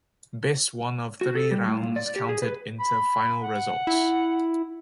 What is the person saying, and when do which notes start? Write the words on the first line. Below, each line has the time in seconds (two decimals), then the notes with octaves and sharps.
Best one of three rounds counted into final results.
1.21 F#4
1.35 A4
1.51 G3
1.68 A2
1.83 A#2
1.96 D5
2.16 G4
2.29 G#4
2.42 B4
2.80 B5
3.43 F#5
3.87 E4